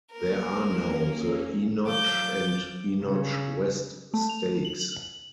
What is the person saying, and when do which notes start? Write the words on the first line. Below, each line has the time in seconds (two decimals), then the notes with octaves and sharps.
There are now the Enoch and Enoch West stakes.
0.12 A#3 C#4 A#4
1.87 F3 F#3 D6 G6 A6
3.02 C#3
4.14 A3
4.29 F7
4.65 F#7